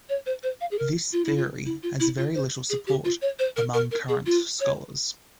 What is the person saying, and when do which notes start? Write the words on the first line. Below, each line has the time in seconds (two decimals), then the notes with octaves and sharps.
This theory has very little support among current scholars.
0.09 C#5
0.26 C5
0.43 C5
0.61 F5
0.71 G#4
0.79 A#4
1.13 F4
1.25 E4
1.36 F4
1.66 E4
1.83 F4
2.00 E4
2.17 F4
2.35 C5
2.70 G#4
2.87 G4
3.05 F4
3.22 C#5
3.39 C5
3.57 A#4
3.74 A#4
3.91 A#4
4.09 G#4
4.26 F4
4.60 C#5